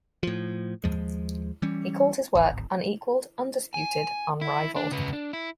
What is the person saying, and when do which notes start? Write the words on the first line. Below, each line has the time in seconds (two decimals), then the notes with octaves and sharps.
He called his work unequaled, undisputed, unrivaled.
0.23 A2 F3
0.84 D#2 F3 G#3
1.62 E3 G3 C#4
2.35 D1 G#1
3.74 G#5
4.41 E4
4.76 D4
4.92 C#3 B4
5.13 D4
5.33 E4